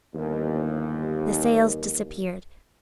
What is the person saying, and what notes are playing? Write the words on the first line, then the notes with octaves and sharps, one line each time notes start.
The sails disappeared.
G1 D#2